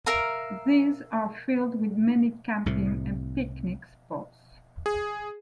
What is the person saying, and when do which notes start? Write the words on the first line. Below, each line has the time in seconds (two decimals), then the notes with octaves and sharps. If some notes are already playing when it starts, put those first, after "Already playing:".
These are filled with many camping and picnic spots.
0.06 A#4 E5 F5 A#5
2.66 C2 A2 C3
4.86 G#4